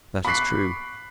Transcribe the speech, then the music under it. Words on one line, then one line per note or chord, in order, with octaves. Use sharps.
That is true.
B5 C#6 D6 F#6 B6 C7